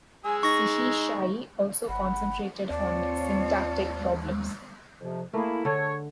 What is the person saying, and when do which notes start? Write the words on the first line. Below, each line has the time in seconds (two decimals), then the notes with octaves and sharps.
Sehechaye also concentrated on syntactic problems.
0.25 G#3 G#4 G#5 E6
0.43 D#4 C#6 A#6
1.88 G1 F#5 B5
2.70 D#2 C4 F4 C#5 D5 A5
5.01 F2 C3 F3
5.34 A3 A#3 E4 G#4
5.65 D3 A4 C#5